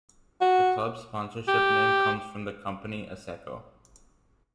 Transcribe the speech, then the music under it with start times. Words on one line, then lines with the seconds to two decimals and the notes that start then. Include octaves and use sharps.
The club's sponsorship name comes from the company Asseco.
0.41 F#4
1.48 G4